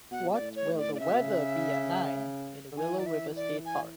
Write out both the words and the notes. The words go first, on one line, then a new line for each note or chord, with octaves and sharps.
What will the weather be a nine in Willow River State Park?
B2 F#5
D5
A2
C#5
G#2
A2
D5
D5
C#3 E5
B2
C#3
D3
E3 G#5
D5
E5
D5
G#5